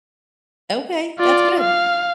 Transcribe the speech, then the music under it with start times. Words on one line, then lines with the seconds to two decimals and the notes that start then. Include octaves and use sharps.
Okay, that's good.
1.19 F4 D5
1.60 F5